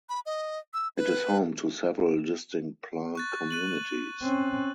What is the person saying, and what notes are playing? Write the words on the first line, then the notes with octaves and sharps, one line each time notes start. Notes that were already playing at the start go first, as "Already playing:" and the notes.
It is home to several distinct plant communities.
B5
D#5
E6
B4
C#6 F#6 A6
F#6 D#7 F#7
C4 C#4